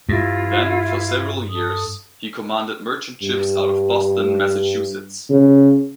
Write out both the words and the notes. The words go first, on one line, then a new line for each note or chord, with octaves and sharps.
Then, for several years, he commanded merchant ships out of Boston, Massachusetts.
G2 E4 F4 E5
A4 D#6
G2
C#3